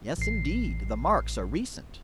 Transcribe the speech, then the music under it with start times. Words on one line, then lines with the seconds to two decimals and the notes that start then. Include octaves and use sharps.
"Yes, indeed, the marks are recent."
0.18 A1 C7